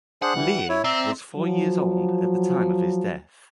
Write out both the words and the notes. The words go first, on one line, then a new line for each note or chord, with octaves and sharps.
Leahy was four years old at the time of his death.
D4 G#4 C5 F#5
E3 G3
E4 C#5
C4 D5 E5 A#5
F3 F#3